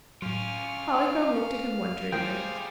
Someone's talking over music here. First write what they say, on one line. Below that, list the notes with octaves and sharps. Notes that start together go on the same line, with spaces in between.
Polychrome looked at him wonderingly.
A2 F#3 C#4 F4 F5
E3 G3 A3 F4 G#4 C5 F5 G5